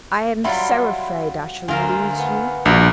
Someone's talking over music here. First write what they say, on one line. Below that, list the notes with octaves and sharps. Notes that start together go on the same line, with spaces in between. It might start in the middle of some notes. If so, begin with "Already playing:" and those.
I am so afraid I shall lose you.
F#3 G3 F4 E5 B5 C6
D2 F4 A#4 C5
B3
A#1 B2 G3 D4 G4 G#5